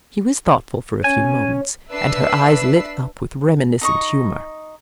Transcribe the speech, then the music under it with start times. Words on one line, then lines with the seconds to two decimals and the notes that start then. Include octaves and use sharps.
She was thoughtful for a few moments, and her eyes lit up with reminiscent humor.
1.04 C#4 G#5
1.90 D4 B4 E5 B5 E6 C7
3.81 D#4 D#5 C#6